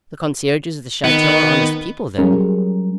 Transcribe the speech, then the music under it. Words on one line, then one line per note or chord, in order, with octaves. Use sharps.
"The concierges of the chateau are honest people, then?"
D#3 B3
F#3 G3 C#4 G#4 A#4